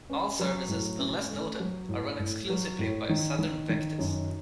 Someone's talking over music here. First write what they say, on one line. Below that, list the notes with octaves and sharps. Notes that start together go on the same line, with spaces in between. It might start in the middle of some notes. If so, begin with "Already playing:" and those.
All services, unless noted, are run exclusively by Southern Vectis.
C#4
F#3
A2
C#4
A3
F#3
A2
A2
F#3
A2
D#3
D#3
D#3
F#2